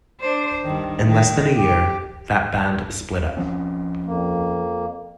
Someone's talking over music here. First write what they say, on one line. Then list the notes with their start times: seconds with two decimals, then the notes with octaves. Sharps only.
In less than a year, that band split up.
0.21 D4 C5
0.64 G2 D#3
1.08 D#3
1.55 G4
3.37 F3 C4 C#4
4.06 F2 A#3